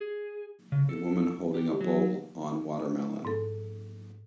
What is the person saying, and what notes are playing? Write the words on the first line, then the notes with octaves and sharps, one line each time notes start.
A woman holding a bowl on watermelon.
G#4
C#3
A4
G4
F#3
G#2 A4